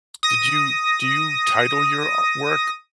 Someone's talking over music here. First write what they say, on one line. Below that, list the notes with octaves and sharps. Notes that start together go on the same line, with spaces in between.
Did you do you title your a work?
D#6 A#6